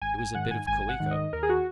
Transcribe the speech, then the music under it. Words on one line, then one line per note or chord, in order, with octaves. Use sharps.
It was a bit of calico....
G#1 G#5
G#5
G#2 D#3 F#5
G#5
G#1 G#5
F#5
G#2 D#3
D#5
D#2 A#4
G#4
F#4